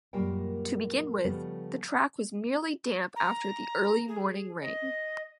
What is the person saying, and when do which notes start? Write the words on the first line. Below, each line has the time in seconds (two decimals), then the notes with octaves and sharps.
To begin with the track was merely damp after the early morning rain.
0.13 F#2 A#2 G3 A#3 A#4 G5
1.25 C#3 F3 G3 A3 B3
3.16 A#5
4.08 G#4
4.61 D#5